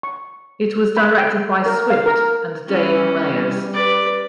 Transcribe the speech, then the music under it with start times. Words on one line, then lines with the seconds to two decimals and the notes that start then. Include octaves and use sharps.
It was directed by Swift and Dave Meyers.
0.03 C#6
0.97 B5
1.18 G5
1.66 A#4
1.90 F5
2.06 A#4
2.68 E3 G3 C#4
3.31 G3
3.74 B4 D5